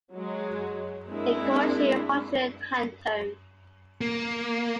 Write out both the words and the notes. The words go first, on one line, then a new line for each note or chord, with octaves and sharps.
In Coleshill Hundred Hantone.
F#3 G#3
G#3 A#3 C4 D4 E4
A#3